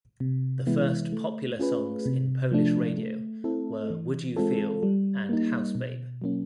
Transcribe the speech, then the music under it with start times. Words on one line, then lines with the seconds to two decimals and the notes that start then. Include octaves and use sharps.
The first popular songs in Polish radio were "Would You Feel" and "House Babe".
0.20 C3
0.67 E3 G#3 B3 E4
1.12 A3
1.60 C#4 F4 G#4 B4
2.06 C3
2.52 F3 A3 D4
2.98 A3
3.44 C4 E4 A4
3.90 E3
4.36 G#3 C4 F4 A4
4.83 G3
5.29 A#3 D#4
5.75 B2
6.22 F#3 A#3 C#4